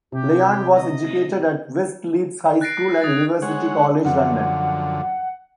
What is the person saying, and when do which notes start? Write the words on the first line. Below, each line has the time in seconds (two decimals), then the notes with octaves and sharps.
Lyon was educated at West Leeds High School and University College, London.
0.12 C3 G4
0.74 D#5
2.61 F#6 A6 A#6 C7 D7
3.02 D#6 G#6 A6
3.42 G#3 C#5 F#5
4.05 F#2 D3 F3 F#5